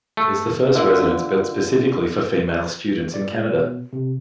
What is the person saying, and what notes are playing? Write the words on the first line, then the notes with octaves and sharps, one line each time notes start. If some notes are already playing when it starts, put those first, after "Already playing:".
It is the first residence built specifically for female students in Canada.
A3
D3 F4 A#4 E5
D5
G#3
B2
C3